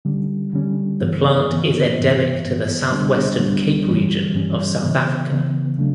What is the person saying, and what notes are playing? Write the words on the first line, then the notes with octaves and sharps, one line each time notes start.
The plant is endemic to the southwestern Cape Region of South Africa.
D3 G3 C#4
D3 G3 C#4
G2 E3 B3
G2 E3 B3
G2 E3 B3
G2 E3 B3
D2 D3 G3 B3 D4
D2 D3 G3 B3 D4
G2 E3 G3 C#4
G2 E3 G3 C#4
C#3 E3 B3
C#3 E3 B3
C#3 F#3 A3 D4